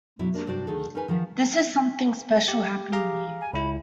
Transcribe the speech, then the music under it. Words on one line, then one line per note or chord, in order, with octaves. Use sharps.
This is something special happening here.
B2 F#3 D4 E4
A#3 D4
G2 C3 D4 F#4 C5 D5
D2 D#3 G#4 A4
C#4 D#4 A#4 B4 G#5
D#3 F3 F5 F#5
G4
G4 G#4 F5 A#5
G#5
C#2 E4 B5